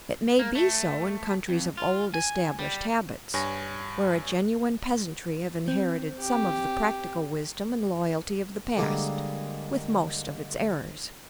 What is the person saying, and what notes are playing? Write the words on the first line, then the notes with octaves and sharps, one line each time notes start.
It may be so in countries of old-established habits, where a genuine peasantry have inherited some of the practical wisdom and loyalty of the past, with most of its errors.
A#3
A3
F2
F4
G#5
G3
G2 C#5 G#5 A#6
C4
G4
D3 G3 G#3 A#3